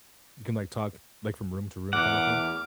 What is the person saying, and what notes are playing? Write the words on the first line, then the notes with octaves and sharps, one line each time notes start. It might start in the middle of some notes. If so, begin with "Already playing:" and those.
You can, like, talk, like, from room to room kinda thing?
E2 F#5 D6 F6